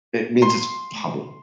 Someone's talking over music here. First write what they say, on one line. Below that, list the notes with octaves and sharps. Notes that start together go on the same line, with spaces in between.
It means it's public,
C6